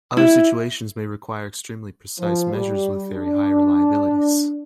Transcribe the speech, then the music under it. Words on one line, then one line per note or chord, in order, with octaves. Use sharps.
Other situations may require extremely precise measures with very high reliabilities.
E4
F3
G3
D4